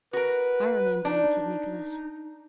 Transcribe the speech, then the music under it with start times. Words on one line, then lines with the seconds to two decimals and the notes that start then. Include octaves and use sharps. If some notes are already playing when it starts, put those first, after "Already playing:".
"I remember," answered Nicholas.
0.13 F#4 A#4 B4
1.05 D4 D#4